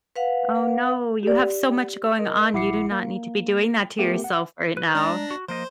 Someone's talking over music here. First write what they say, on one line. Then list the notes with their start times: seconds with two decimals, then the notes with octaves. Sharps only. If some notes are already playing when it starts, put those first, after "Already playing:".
Oh, no, you have so much going on, you do not need to be doing that to yourself right now.
0.16 B4 F5 F#5
1.23 G4 D5
2.19 A#4 D#5
2.53 A#1 E4 F#5 D6 C7 C#7
2.91 A#3
3.98 A3 B3 G4 A#4
4.24 F#5
4.77 B4
4.95 G#3 D4 D5 A#5 A#6
5.31 F#4
5.48 F3 A#3 C5 D#5